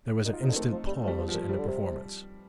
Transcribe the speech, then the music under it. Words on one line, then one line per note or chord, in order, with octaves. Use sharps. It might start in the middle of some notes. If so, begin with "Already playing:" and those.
There was an instant pause in the performance.
A#2 D#4
F4
C3 C4 D#4
D3
D#3 A3 C4
F3
G3
F3
G3
F3
F3
A#2
C3 G3
D3
C3